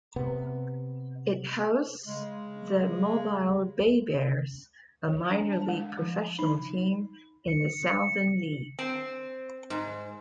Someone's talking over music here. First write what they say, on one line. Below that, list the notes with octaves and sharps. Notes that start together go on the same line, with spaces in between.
It hosts the Mobile BayBears, a minor-league professional team in the Southern League.
C3 B3
C#3 G#3
E3
D4
A5
G#3
F3
D#4
C#7
C4
G#2